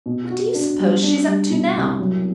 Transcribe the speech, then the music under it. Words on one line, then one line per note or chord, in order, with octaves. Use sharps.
"What do you suppose she's up to now?"
B2
F#4
D4
G3
D4
G3
B2
C2
F#3